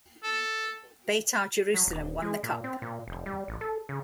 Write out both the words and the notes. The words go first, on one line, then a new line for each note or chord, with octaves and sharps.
Beitar Jerusalem won the cup.
A4
F#3
D#1
G#3
A#2
C4
A#2
F1
G3
A1
A4
C#3